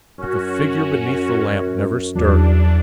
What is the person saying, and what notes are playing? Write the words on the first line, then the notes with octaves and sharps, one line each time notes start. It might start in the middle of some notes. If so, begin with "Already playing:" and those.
But the figure beneath the lamp never stirred.
F#2 C#4 F#4
E2 F#3 D4